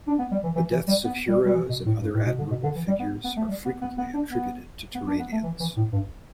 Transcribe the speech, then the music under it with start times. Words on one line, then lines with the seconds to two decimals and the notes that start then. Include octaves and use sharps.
The deaths of heroes and other admirable figures are frequently attributed to Turanians.
0.07 D4
0.18 B3
0.31 G3
0.43 E3
0.55 E3
0.71 E3
0.88 G3
1.04 B3
1.28 G3
1.45 G3
1.53 E3
1.69 B2
1.86 A2
2.01 G2
2.14 A2
2.26 B2
2.38 D3
2.50 B2
2.63 D3
2.75 E3
2.87 G3
3.00 B3
3.24 B3
3.36 A3
3.48 G3
3.65 B3
3.81 B3
3.98 B3
4.13 D4
4.30 B3
4.95 B3
5.07 D4
5.19 B3
5.32 A3
5.43 E3
5.60 E3
5.76 A2
5.92 G2